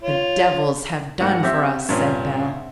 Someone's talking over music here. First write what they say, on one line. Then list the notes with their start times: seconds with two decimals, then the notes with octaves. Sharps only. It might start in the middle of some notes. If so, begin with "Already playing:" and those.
"The devils have done for us!" said Bell.
0.02 F4 C#5
1.21 G#2 A#3 F#5
1.43 C4 G4 E5
1.89 G2 A#2 C#4